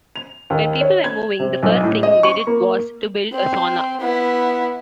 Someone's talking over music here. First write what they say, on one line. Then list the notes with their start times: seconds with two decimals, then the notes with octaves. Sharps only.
When people were moving, the first thing they did was to build a sauna.
0.16 F7
0.50 D#2
0.81 C#5
1.04 G#6
1.40 C3
1.63 B1
1.83 A2
2.03 D#5
2.23 C#6
2.47 A#3
3.34 C4
4.01 B3 E4